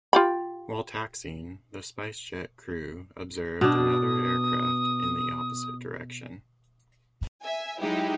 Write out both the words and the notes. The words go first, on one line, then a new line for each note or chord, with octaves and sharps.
While taxing, the Spice Jet crew observed another aircraft in the opposite direction.
F4 G4 B5
B2 D4 D#6
E5 G#5
F#3 G#3 D#4 E4 G4